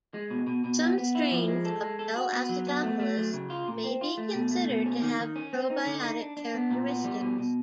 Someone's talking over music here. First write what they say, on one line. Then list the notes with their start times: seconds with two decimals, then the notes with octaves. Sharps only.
Some strains of "L. acidophilus" may be considered to have probiotic characteristics.
0.14 G#3
0.30 B2
0.47 B2
0.64 B2
0.81 B3
0.98 B3
1.15 E4
1.31 F3
1.48 G#3
1.65 A4
1.83 G#3
1.99 A4
2.16 F#4
2.33 B3
2.49 F#3
2.67 B3
2.83 A3
3.00 A3
3.17 F#3
3.34 C#3
3.50 F4
3.68 A#2
3.84 C4
4.01 F4
4.18 A3
4.35 B2
4.51 A3
4.69 B2
4.86 C#4
5.02 D#3
5.20 D#3
5.36 C#4
5.53 C4
5.70 D#4
5.86 D3
6.03 D#4
6.21 D4
6.37 D4
6.54 B3
6.70 A#2
6.88 B3
7.04 G3
7.21 B2
7.39 B2